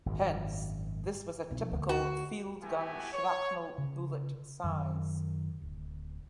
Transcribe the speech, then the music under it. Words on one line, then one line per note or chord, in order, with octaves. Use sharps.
Hence this was a typical field gun shrapnel bullet size.
G#1 F#2
B1 F3
D2
F#4
A3 B3 E4 F#4 G4 G#5
C#5
C#3
F#2 D#3
D1